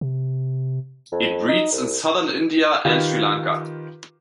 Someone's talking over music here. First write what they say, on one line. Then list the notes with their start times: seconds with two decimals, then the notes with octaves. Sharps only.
It breeds in southern India and Sri Lanka.
0.01 C3
1.12 F2
1.48 D#4
1.72 C2
2.85 D#3 F4 G4 B4